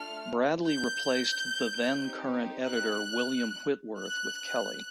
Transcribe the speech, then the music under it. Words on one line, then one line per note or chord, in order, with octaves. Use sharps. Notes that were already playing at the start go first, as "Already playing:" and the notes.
Bradley replaced the then current editor William Whitworth with Kelly.
Already playing: A3 D4 F4 A4 F6
G6
C4 D#4 G4
F#6
F#6